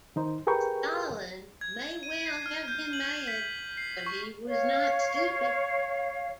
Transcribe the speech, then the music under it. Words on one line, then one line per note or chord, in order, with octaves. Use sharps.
Stalin may well have been mad but he was not stupid.
D#3 D#4 C5
G4 G#4 A#4 B4 G5 C#6
G#6
D#7
C7
F6
G6
F#7
B6
C7
C#6
C#5 F5